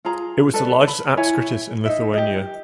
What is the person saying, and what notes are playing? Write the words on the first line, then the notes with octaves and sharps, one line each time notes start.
It was the largest apskritis in Lithuania.
F4 G#4 A#5
A4 B4 D5
B5
E4 C#5 G#5
D#4 D#5 E5
G4 D#5